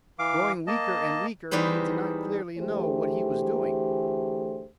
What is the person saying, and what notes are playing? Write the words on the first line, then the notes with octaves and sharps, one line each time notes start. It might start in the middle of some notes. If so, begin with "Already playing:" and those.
Growing weaker and weaker, he did not clearly know what he was doing.
E3 F5 D6
A#3 D#5 A5
E2 G3 D#4 B4 C5
D2 E3 A3 G4 G#4 C5